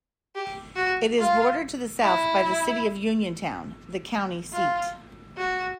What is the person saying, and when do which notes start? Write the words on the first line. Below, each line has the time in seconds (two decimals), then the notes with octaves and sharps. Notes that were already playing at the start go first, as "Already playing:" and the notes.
It is bordered to the south by the city of Uniontown, the county seat.
0.35 G4
0.76 F#4
1.19 F4
2.03 E4
4.53 F4
5.37 F#4